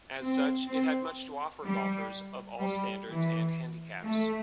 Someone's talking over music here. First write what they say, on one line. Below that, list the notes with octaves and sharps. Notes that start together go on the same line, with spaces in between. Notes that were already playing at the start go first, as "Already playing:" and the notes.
As such, it had much to offer golfers of all standards and handicaps.
C4
C4
G3
G3
E3
A3